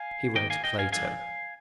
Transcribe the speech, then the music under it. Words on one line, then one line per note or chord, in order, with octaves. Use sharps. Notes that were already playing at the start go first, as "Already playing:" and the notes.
He read Plato.
Already playing: F5 G#5
D#3 A#3 D#5 G5
F5 G#5
D#5 G5
F5 G#5
D3 F3 G#3 F5 G#5